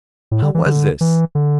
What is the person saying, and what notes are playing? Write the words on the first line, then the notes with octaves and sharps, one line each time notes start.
How was this?
A2
D3
E3
D3
E3
D3